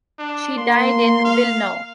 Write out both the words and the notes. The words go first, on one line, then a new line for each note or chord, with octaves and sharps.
She died in Wilno.
D4
A#3 C6
F5